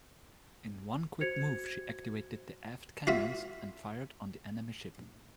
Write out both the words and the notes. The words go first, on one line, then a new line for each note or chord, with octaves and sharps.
In one quick move, she activated the aft cannons and fired on the enemy ship.
F#4 C5 G#6 C#7 F7
F4 F#4 E5